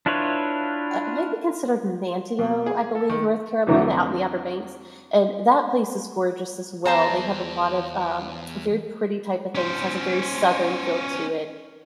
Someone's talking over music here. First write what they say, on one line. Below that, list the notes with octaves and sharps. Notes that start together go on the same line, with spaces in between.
uh, it might be considered Manteo, I believe, North Carolina out in the Upper Banks, and that place is gorgeous as well. They have a lot of, um, very pretty type of things. It has a very southern feel to it.
D4 E4 F4 B4 C#5
B2
G#4
A4
D#3
F2 D3 E3 F#3
E2 C5 A5 A#5
C#4 C5